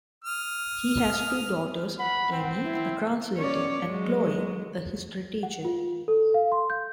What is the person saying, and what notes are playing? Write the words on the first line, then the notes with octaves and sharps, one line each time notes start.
He has two daughters, Amy a translator and Chloe a history teacher.
D#6 F6
F#5 B5
C4
E4
C#4 C#5 D5
F#3 G#3
F#5
F4
A4
F5
C6
G6